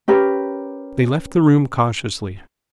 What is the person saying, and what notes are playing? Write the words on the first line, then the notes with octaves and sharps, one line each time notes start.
They left the room cautiously.
C#4 G4 A#4 B4